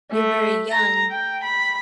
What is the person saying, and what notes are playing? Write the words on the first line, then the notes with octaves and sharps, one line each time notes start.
you're very young,
A3
A#5
G5
B5